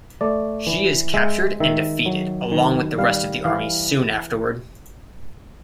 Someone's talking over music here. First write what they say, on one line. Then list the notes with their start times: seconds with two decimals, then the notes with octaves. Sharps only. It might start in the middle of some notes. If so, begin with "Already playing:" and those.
She is captured and defeated along with the rest of the army soon afterward.
0.21 A3 D5
0.67 E3
1.14 G#3 E5
1.60 D#3 E5
2.06 F#3
2.52 D#3
2.98 G3 F5
3.45 E3 F5